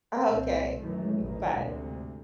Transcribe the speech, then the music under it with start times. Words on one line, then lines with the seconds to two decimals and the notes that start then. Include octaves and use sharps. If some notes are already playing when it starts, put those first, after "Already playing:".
Okay, mhm, bye.
0.25 C2 A#2 C4
0.78 F#2 D#3 E3 A3
1.19 A1 D2 D#3
1.55 D2 G#2 C3